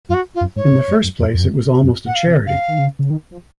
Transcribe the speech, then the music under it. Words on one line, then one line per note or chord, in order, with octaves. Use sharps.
In the first place it was almost a charity.
F#2 F4
F#4
F4
F#2
G#2 C#5
G#2
F#2
F#2
F2
F2
F#2
G#2
F#2
A#2 F#5
F5
C3
C#3 F5
D#3
C#3
C#3
D#3
F3